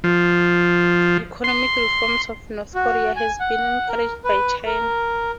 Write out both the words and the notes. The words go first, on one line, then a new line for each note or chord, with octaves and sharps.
Economic reforms in North Korea has been encouraged by China.
F3
C6
F#4
G#5
F#5
A#4
B4
A#4